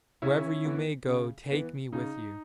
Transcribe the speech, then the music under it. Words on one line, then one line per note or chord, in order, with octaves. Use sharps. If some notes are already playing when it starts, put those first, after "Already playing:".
Wherever you may go take me with you!'
C#3 C#4 E4
E3 B3
C#3
E3 B3
C#3 D#4